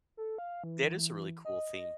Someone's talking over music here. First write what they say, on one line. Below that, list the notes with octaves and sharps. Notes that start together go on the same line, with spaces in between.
That is a really cool theme,
A4
F5
E3
D#5